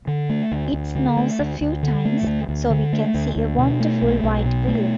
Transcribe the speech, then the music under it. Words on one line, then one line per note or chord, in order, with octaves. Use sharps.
It snows a few times, so we can see a wonderful white view.
D3
A3
D2
D2
D3
A3
D2
D2
D3
A3
D2
D2
D3
A3
D2
D2
B2
A3
B1
B1
B2
A3